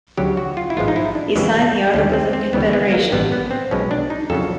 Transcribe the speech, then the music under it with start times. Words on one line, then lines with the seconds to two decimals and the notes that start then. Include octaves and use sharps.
He signed the Articles of Confederation.
0.17 D2 C#3 F#3 G4
0.37 F#4
0.57 F4
0.70 E4
0.77 A1 G#2 F3 G#3 F4
0.88 D#4
0.96 E4
1.15 D4
1.36 F2 C#3 E3 G#3
1.94 D#2 D3 G3 C#4
2.14 C4
2.33 C4
2.53 D2 C#3 E3 G3 B3
2.73 B3
2.92 A#3
3.12 A1 G2 D3 G3 B3
3.32 B3
3.51 C4
3.71 B1 B2 G#3 C#4
3.91 D4
4.10 D#4
4.30 F2 C#3 F#3 A4